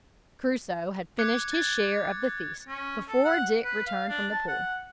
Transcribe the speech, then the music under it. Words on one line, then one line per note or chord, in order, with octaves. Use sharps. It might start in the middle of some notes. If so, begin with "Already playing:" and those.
Crusoe had finished his share of the feast before Dick returned from the pool.
D6 F#6 G#6 C#7
G#6 A6
C#4
A4
F#5
B4
F5
D4
A5
F#5